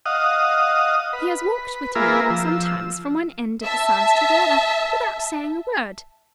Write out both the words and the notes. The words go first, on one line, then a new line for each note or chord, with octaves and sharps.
He has walked with me, sometimes, from one end of the sands to the other, without saying a word.
D#5 F5 F#5 D#6
B4
A#3 F4 G#4 A#4 B4 E5
F3 E6
E5 A5